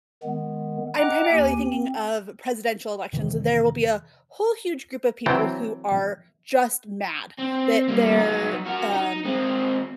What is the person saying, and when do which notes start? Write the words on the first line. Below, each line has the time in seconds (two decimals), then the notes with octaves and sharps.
I'm primarily thinking of presidential elections. There will be a whole huge group of people who are just mad that their, um,
0.23 D#3 G#3 B3
0.97 D#5 F#5 G5 A#5 D6 F#6
1.32 D#2 G4 G#5
1.67 C4
3.13 F2 C3 D#3 E3
5.26 E3 F#3 C4 G5 A5
7.39 C4
7.88 G3 A#3
8.18 F#3 D#4
8.66 F#4 A#4
8.92 D#4
9.25 G#3 C4